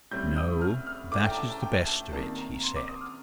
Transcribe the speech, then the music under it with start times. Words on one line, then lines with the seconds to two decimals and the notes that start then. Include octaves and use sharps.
"No--that is the best of it," he said.
0.11 A2 G3 C4 G6
0.36 D#6
0.61 F6
0.87 F6
1.12 A2 A3 D4 D6
1.24 G5
1.31 A#5
1.37 A5
1.50 A5
1.62 G5
1.87 A5
2.13 C3 D#3 A#3 D4 A5
2.38 A#5
2.64 C6
2.76 D6
2.88 D#6
3.01 F6